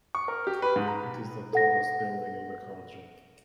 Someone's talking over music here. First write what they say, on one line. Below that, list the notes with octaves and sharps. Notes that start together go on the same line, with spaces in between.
It is the tallest building in the country.
C#6
A#4
G4
B4
G#2
A#5
A4 F#5 A#6